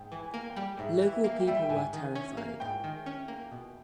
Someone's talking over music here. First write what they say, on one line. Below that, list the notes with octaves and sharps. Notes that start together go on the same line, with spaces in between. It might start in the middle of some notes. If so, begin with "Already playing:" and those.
Local people were terrified.
Already playing: G#2 G5
E3
G#5
A#3
G5
G3
G#2 E5
E3
E5
A#3
G5
G3 E5
G5
G#2 G#5
D#3
C#4
A#3
G#2 G5
D#3
C#4
A#3
B2